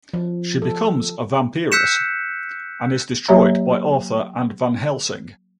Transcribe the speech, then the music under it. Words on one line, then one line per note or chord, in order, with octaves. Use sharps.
She becomes a vampiress and is destroyed by Arthur and Van-Helsing.
F3
A4
E6 F#6 G6 B6 C#7 E7
F#3 A#3 G4 C#5 E5 A#5